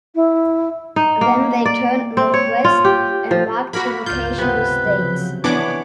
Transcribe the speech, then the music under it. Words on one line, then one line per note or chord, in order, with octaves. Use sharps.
Then they turned northwest and marked the location with stakes.
E4
D#4
A#3
D5
C4
C#5
F4
G4
F3
A#3 F#4 A#4 B5
G1 C#2 F4 G6
C3 B3 B4
C#3 F3 F#3
E3 B3 D4 C#5 F#5 D6